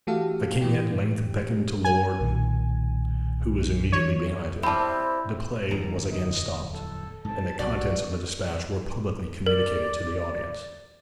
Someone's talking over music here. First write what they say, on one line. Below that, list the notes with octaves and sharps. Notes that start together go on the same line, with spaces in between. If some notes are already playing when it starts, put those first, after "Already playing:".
The King at length beckoned to Lord ---, who was immediately behind him, the play was again stopped, and the contents of the despatch were publicly communicated to the audience.
E3 A3 F#4 G4 A4 F5
A2 E3 G4
G#5
B1 A#2 D#3
E3 C#5
G3 C4 E4 C5 A5 B5
D1 E2 F3 A#5
D#5
A4
G#2 C3 A5
B1 G3 F#4 D5
A#4 D5